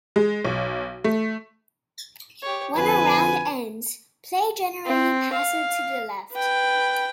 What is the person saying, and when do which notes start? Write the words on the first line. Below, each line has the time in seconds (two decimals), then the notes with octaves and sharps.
When a round ends, play generally passes to the left.
0.16 G#3
0.45 B1
1.04 A3
2.42 G4 C#5
2.76 F2 D3 B4 G#5
4.87 C4
5.33 F5
6.33 B4 G5